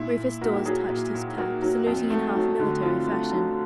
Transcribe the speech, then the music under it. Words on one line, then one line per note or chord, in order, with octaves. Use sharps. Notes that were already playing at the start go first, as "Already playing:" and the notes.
Rufus Dawes touched his cap, saluting in half military fashion.
Already playing: A#2 E4
A#2
A#3 F#4
G4
F#3 G#4
A#2
A#2
A#3 F#4
F#3
F2
A3
F#3
D3
F2 F4
A3
F#3